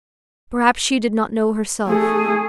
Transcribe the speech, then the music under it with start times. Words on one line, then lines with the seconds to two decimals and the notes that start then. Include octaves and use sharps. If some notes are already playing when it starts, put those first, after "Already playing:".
Perhaps she did not know herself.
1.86 A3 G#4